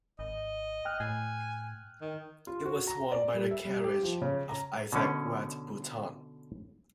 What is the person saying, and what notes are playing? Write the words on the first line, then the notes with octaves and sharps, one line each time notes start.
It was won by the carriage of Isaac Watt Boulton.
G#1 D#5
G5 F6 F#6
A2 G#5
D#3
F4
F#4
A#5
D5
G3
E5
G3
G4
F3
C#3
A#5
B2 D3 C#4